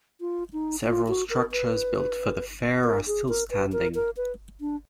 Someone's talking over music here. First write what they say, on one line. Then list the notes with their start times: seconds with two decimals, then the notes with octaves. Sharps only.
Several structures built for the fair are still standing.
0.21 F4
0.53 D#4
0.86 F4
1.08 F#4
1.30 A#4
1.52 B4
2.84 A#4
3.07 G#4
3.29 A#4
3.50 B4
3.72 A#4
3.95 A#4
4.17 B4
4.61 D4